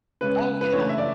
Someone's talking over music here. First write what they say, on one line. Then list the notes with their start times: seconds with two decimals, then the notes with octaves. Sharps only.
Oh, yeah.
0.21 C#3 G#3 C#4 B4
0.61 B4
0.72 C#3 E3 A3 D4 C#5
0.89 E5
0.98 D5